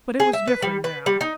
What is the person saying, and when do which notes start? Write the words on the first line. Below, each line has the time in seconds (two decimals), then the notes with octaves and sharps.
But it was different now.
0.20 G#4
0.33 E5
0.47 B4
0.62 G3
0.84 B4
1.06 G3
1.21 D#4